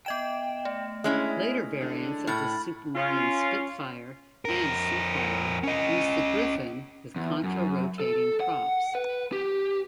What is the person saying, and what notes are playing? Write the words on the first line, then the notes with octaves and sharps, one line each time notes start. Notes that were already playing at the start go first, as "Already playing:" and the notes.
Later variants of the Supermarine Spitfire and Seafire used the Griffon with contra-rotating props.
B3 D#5 G5 E7
A3
G#3 C#4 E4
D3
A2 B5 F6 A6
C#4 F4
F2 A#4
C#4 D#5
E2
F#2
A4
F#5
B4
G4